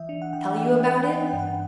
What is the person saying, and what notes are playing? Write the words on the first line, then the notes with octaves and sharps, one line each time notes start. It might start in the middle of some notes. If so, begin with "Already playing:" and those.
Tell you about it?
Already playing: E3 E5
D4
F#5
E3 G5
F#5
E3 G5
F#5
E3 G5
F#5
G5
D4
F#5
G5
G2
F#5